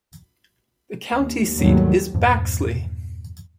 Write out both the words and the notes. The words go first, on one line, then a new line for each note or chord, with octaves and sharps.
The county seat is Baxley.
D#2
D#2 G#2 D#3 F#3 G3 A3
E2 G2 A#2 F3